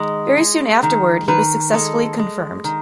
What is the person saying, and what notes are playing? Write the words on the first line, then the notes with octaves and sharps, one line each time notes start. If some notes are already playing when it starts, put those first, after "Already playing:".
Very soon afterward, he was successfully confirmed.
Already playing: D#3 G#3
G#3
D#3
D#3 B4
G#3 A4
G#3
D#3